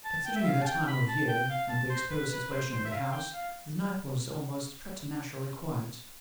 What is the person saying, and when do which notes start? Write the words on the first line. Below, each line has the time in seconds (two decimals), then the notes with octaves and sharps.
Considering the time of year, and the exposed situation of the house, the night was almost preternaturally quiet.
0.05 A5
0.26 G5
0.35 E5
0.45 F5
0.62 A5
0.66 G5
0.87 B5
1.08 A5
1.28 G5
1.49 F5
1.69 A5
1.89 C5
2.10 B4
2.31 B4
2.47 B4
2.51 C5
2.72 C5
2.85 E5
2.92 F5
3.12 G5
3.33 F5